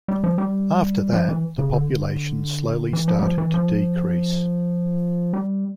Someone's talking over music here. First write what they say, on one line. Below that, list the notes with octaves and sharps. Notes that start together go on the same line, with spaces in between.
After that, the population slowly started to decrease.
G3
F3
G3
F3
E3
C#3
D3
E3
F3
G3
F3
E3
F3
G3